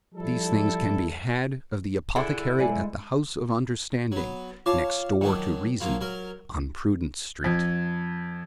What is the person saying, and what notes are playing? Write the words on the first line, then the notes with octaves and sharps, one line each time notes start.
These things can be had of the apothecary at the house of Understanding next door to Reason, on Prudent street.
F3 G3 E4 A4
D3 E4 G#4
B1 G#3 D5 G#5
F#3 B3
F4 C#5 F5 A5 D6
D#3 F#3 D4 G5
F3 F#3 A#3
F#3 A#4
F2